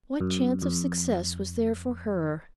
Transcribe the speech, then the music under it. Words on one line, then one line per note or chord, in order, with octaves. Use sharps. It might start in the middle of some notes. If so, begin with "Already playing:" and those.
What chance of success was there for her?
F#2
F2